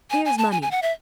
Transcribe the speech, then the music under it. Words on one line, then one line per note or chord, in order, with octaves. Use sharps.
Here is money.
G#5
G#5
A5
G#5
G#5
F#5
E5